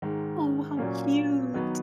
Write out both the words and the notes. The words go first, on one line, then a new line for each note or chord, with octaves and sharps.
Oh, how cute.
G#2 D#3 G#3
A#2 F#3 A#3 C#4
D#3 F#3 B3 D#4